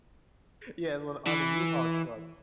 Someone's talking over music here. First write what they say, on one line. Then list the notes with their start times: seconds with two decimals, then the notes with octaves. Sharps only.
Yes, on on a U-Haul truck,
1.27 E3